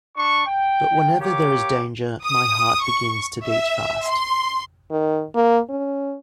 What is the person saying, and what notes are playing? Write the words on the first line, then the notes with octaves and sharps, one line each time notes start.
But whenever there is danger my heart begins to beat fast.
D4 C#6
G5
A#3 G4 C#5 D6
D#6
C#6
E5
C6
D#3
A#3
C#4